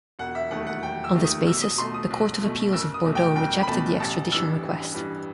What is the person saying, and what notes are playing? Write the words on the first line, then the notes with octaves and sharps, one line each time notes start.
On this basis, the court of appeals of Bordeaux rejected the extradition request.
E1 F#5
E5
D#2 D#3 A3 F#5
F#5
E1 G5
E6
D#2 D#3 A3
D#6
B1 E6
D#6
B2 A3 C6
D#6
B1
B2 A3
F#1 E6
D#6
E2 B2 A3
G5
F#1 G5
B5
E2 B2 A3 A5
A1 A5
G2 E3 E6
A1
G2 E3